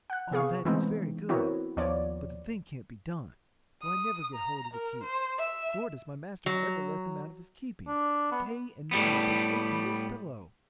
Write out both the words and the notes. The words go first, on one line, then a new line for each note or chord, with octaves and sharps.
"All that is very good; but the thing can't be done, for I never get hold of the keys, nor does my master ever let them out of his keeping; day and night they sleep under his pillow."
F#5 F#6
C3 B3 G#4 F5 C#6
E3 G#3 A3 B3 C4 D#4
B3 C4 E4 F#4 A#4 C#5
D#2 F3 B3 C#5 D5
D#6
A#5
A#4
C5
E5
F#3
D4
B3
A2 G3 B3